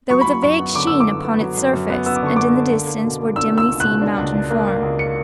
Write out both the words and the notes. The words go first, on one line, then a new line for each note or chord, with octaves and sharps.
There was a vague sheen upon its surface, and in the distance were dimly seen mountain forms.
F#3 C#6
F#3 B5
C#6
F#2 C#6
B3
D3 D6
D3 E6
D6
B3
B3
F#3
F#2
F#2
B3
B3 E6
D6
D3 C#6
B3 D6
D3
A#3
A#3
B2
A#3
D4 E6
A#3 E6
C#2
F#6
B2
D4
C#2
D4
A#3
A#3
C#2
C#7